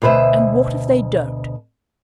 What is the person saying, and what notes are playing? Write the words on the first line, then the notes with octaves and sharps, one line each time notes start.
"And what if they don't?"
D2 B2 B4 C5 E5